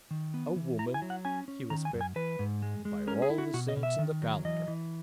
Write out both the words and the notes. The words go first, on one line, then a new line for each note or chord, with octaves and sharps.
"A woman!" he whispered, "by all the saints in the calendar."
D#3
B3
E3
E4 A#5
G#5
F#3
F#5
C#4 G#5
C#4
D#3 A#5
G#5
F#2
G#5
E3 B4
G#2
G#3
G#3
C#4 A#4
G#4
E4
F#4
B2 F#4
D#5
B2
E5
D#3
F#3
E3 D#5
E3